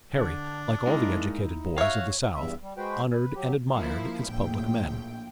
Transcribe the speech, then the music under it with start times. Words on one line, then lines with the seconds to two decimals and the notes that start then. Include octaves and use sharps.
Harry, like all the educated boys of the South, honored and admired its public men.
0.18 D3 D4
0.87 G#3 A#3 D#4 E4
1.78 F#4 C#5 E5 F5
2.35 E2 G2 E5
2.63 G3
2.77 G#3 F#4 B4 C5 G5
3.12 B4
3.35 F#3 G4
3.75 F3 A#3 E4
4.28 A#1 A2 G5